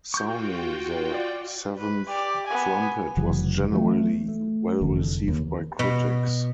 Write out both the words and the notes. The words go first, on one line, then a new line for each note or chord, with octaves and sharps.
"Sounding the Seventh Trumpet" was generally well received by critics.
F4 F#4 G5 C#6 G6
D5
B4
G4 D5
B3 G#5
F1 C#3 E3 F#3
E3 F#3 G3 A3
A3
F1 E2 D3 E3
D#2
B2